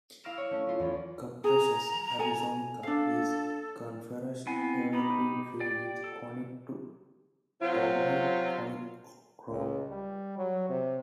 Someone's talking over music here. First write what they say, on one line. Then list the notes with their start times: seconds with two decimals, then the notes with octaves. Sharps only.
"Cupressus arizonica" is a coniferous evergreen tree with a conic to ovoid-conic crown.
0.24 E4 F5 D6 F6 A#6 E7
0.38 C#5
0.51 A3 C#4
0.67 C#4 F4
0.80 E2
1.44 G#4 A#5
2.19 A4 G#5
2.83 D4 A4 F5
4.47 B3 C4 E4 G#5
4.93 B3 D#4 G4 B5
5.46 G4
5.60 D5 G5
6.04 A4
7.61 C3 F#3 F4
9.50 C#2
9.90 G3
10.38 F#3
10.69 C3